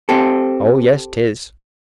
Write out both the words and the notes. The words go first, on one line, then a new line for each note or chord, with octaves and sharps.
Oh yes, 'tis.
C4 G4 A4